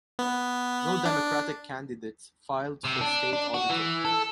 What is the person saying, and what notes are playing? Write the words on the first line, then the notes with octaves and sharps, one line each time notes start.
No Democratic candidates filed for State Auditor.
B3
D4
C3
D4
D4
F#4
E3
A4